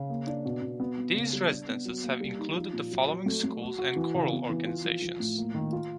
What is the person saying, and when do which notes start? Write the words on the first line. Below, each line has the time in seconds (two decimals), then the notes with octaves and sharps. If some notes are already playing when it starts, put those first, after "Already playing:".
These residencies have included the following schools and choral organizations.
Already playing: C#3
0.10 A#3
0.27 D4
0.45 B2
0.62 B2
0.80 B3
0.98 B3
1.15 C#3
1.33 G3
1.50 D4
1.69 B3
1.86 F#3
2.04 A#3
2.21 G3
2.39 D#4
2.56 F3
2.73 A#2
2.91 F#3
3.08 F#3
3.26 A3
3.44 A3
3.62 F#4
3.78 F#4
3.96 E3
4.15 C#3
4.32 B3
4.50 E3
4.66 F4
4.85 F3
5.02 F3
5.20 A2
5.38 A#3
5.54 D#3
5.73 F4